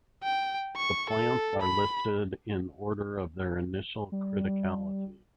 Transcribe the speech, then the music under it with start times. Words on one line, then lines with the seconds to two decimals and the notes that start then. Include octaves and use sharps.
The plants are listed in order of their initial criticality.
0.23 G5
0.77 C#6
1.10 A4
1.62 B5
4.12 G3